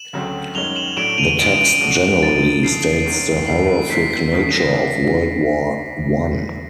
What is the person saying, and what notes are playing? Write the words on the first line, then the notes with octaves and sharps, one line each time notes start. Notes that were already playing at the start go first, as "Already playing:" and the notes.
The text generally states the horrific nature of World War One.
Already playing: E7 F#7
D2 C#3 F#3 A3 C4
F#2 D#3 G#3 C#4 F7 G7
E7 F#7
A2 F#3 A3 D4 D7 E7
D#7 F7
C#3 F3 G#3 C#4 D7 E7
D7 E7
C#3 F3 A3 D4 F#4
G#2 F3 G#3 A6
F2 C#3 F3 A3 C7
E2 C3 D#3 G#3 C#4
G2 D3 G3 A#3 C7
C7
C3 E3 G#3 B6
B6
E2 C#3 F3 A3
A#6
D4